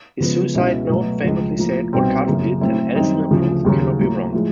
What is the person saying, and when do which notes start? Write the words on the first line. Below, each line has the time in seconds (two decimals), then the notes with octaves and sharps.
His suicide note famously said: What Cato did, and Addison approved, cannot be wrong.
0.20 C#3 F3 G#3 B3
0.54 C#2 B2 G#3 C#4 E4
0.89 B2 F#3 A3
1.24 C#2 C#3 F3
1.58 A2 F3 A#3
1.92 C2 B2 G3 C4 D#4
2.27 F#2 C#3 F3 A#3
2.61 A2 F#3 A3 C4 E4
2.95 F#2 D#3 G3 C4 D#4
3.31 D2 C#3 F3
3.64 D#2 C#3 F#3
3.98 A2 F#3 A#3
4.33 A2 F3 G#3